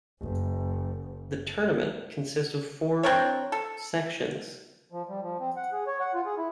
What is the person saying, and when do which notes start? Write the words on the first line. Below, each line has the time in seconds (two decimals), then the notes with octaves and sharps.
The tournament consists of four sections.
0.20 F#1
3.03 C4 D4 A#4 C#5
3.52 A4
4.92 F3
5.09 G3
5.22 F3
5.40 C4
5.57 F#5
5.72 G#4
5.87 C#5
6.00 F#5
6.14 F4
6.26 G#4
6.38 E4